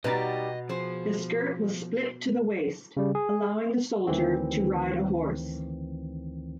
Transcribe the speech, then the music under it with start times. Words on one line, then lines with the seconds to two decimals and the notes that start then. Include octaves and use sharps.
The skirt was split to the waist, allowing the soldier to ride a horse.
0.04 B2 G3 D#4 G4 B4 D#5 A#5 A6
0.69 F3 G#4 C5
2.97 C#3 G3
3.15 G#4
4.07 D2 D#3 E3 C4